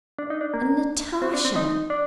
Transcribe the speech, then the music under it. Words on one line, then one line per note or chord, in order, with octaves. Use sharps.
And Natasha!
D4
D#4
D4
A#3
C4
D4
C4
D#4
D4